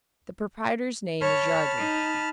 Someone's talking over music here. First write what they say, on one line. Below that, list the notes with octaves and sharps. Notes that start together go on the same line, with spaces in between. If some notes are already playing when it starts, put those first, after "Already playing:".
The proprietor's name is Yardley.
C#5 A5 B5 F6
D#4